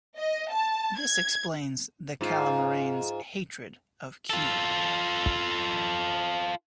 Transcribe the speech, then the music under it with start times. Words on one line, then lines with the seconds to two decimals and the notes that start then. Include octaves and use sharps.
This explains the Calamarain's hatred of Q.
0.17 D#5
0.51 A5
0.98 G#6
2.21 G#2 F4
4.30 F4 A4